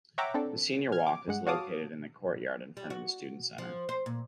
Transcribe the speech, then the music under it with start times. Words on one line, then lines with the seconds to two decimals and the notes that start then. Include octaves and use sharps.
The Senior Walk is located in the courtyard in front of the Student Center.
0.18 C#5 E5 F#5 G5 A#5 D6
0.34 C4 D4 A4
0.92 F6 G#6
1.07 D6
1.28 G2 G#3 F#5
1.47 F#4 C#5 F5 A5 D6 D#6
2.77 G3
2.90 F#4
3.58 F3
3.89 C5
4.06 A#2